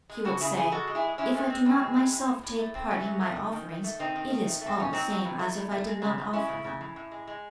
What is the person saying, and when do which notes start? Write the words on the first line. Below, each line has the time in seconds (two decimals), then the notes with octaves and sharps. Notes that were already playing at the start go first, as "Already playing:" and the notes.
He would say, "If I do not myself take part in my offerings, it is all the same as if I did not offer them."
0.10 G#3
0.25 C#3 F#4 A4
0.41 C#3 E4 G#4
0.56 C#3 E4 G#4
0.72 G#3 F#4 A4
0.87 G#3
0.95 E4 G#4
1.04 G#3
1.18 G#3 C#4 E4
1.34 G#3 A3 C#4
1.50 G#3 C4
1.65 A2 C4
1.82 G#3
1.97 A2
2.12 A2
2.27 A2
2.43 A2
2.59 A3
2.74 A3 C4
2.91 E3 A3 C#4
3.05 F#3
3.21 A3
3.37 D#3
3.52 D#3
3.69 D#3
3.84 A3
3.99 D#3 C4 D#4
4.16 D#3
4.30 D#3
4.46 A3
4.61 A3
4.67 C4
4.78 D#3 C#4
4.93 F#3 C4 D#4
5.09 F#3
5.25 A2
5.39 A3
5.55 A2
5.72 A3
5.87 G#3
6.02 C#3
6.18 E3
6.33 G#3 C#4 E4
6.49 C#3
6.64 C#3
6.81 A2
6.96 A2
7.11 G#3
7.27 G#3